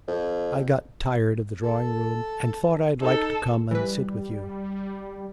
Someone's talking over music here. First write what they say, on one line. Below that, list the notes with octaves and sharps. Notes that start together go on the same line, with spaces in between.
I got tired of the drawing- room, and thought I'd like to come and sit with you.
F2
A4
D#4 A4
E3 G3 B4